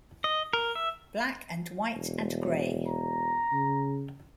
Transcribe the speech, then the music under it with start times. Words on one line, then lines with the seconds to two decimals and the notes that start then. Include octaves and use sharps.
"Black and White and Grey".
0.24 D#5
0.53 A#4
0.75 E5
1.95 E1
2.88 A#5
3.52 C#3